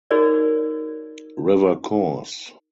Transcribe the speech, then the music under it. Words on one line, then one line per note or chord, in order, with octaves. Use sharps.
River Course!
D#4 F#4 G#4 A#4 C#5 D5